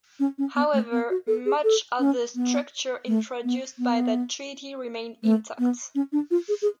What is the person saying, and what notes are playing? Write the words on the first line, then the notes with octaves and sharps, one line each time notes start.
However, much of the structure introduced by that treaty remained intact.
C#4
C#4
B3
A3
B3
F#4
A4
G#4
A4
C#4
B3
A3
B3
B3
A3
B3
C#4
D4
F4
G#4
G#4